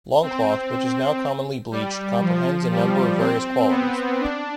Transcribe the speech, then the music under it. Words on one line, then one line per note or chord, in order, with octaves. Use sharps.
Longcloth, which is now commonly bleached, comprehends a number of various qualities.
C4
G3
F3
G3
C4
B3
D4